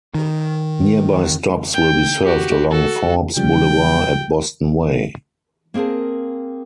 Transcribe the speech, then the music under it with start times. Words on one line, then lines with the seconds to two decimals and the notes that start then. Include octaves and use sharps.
Nearby stops will be served along Forbes Boulevard at Boston Way.
0.15 D#3
1.74 G5
2.25 F#4 G4
2.71 F#4 A4
3.36 C#3 F3 G3 G5
5.74 A#3 C4 G#4 A#4 A5